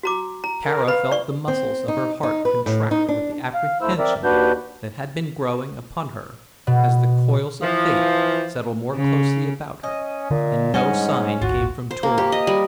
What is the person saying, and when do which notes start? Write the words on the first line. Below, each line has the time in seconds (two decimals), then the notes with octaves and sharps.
Tara felt the muscles of her heart contract with the apprehension that had been growing upon her as the coils of Fate settled more closely about her and no sign came from Turan.
0.03 F#4 A#5 D6
0.44 A#5
0.65 A#4
0.88 B4 F5 B5
1.12 D5 C#6
1.48 C4
1.88 D#4
2.23 D#4
2.45 B4
2.66 A2
2.91 D#4
3.09 D4
3.54 F5
3.81 D2 A3 E4 C5 E6
3.98 C4 A#4 D5 E5
4.24 D#2 D4 F#4 B4 G6
6.67 B2
7.63 E3 F3
8.96 C#3
9.83 C#4 D#5
10.31 A#2 D3
10.74 G#2 G3 C#4 D4 D#5 F#5 F6
11.42 D1 G#1 F4 F#4
11.91 C5
12.03 A#3
12.18 G4
12.32 D#5
12.47 G3